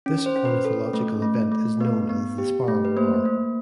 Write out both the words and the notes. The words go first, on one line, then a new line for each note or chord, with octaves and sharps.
This ornithological event is known as The Sparrow War.
C#4
C5
C#4
B4
A4 B4
A3
A3
A3
B3 B4
B3
G4
A3
B4
A#3 C5
A#3